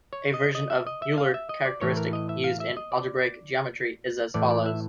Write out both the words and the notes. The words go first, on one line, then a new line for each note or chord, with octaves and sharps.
A version of Euler characteristic used in algebraic geometry is as follows.
C#5
D#5
D#5
E5
D#5
E5
F5
E5
D#5
D5
A2 E3 C#5
A#4
D#5
E5
F5
E5
D#5
D5
A2 E3 D5
D5
E5